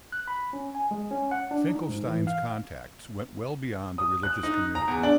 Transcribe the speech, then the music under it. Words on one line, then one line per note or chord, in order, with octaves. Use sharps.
Finkelstein's contacts went well beyond the religious community.
F#6
B5
C#4
G#5
G#3
C#4
F#5
D4
D#4
G#2
E3
F5
D#6
F#6
D#4
A#5
E2
D4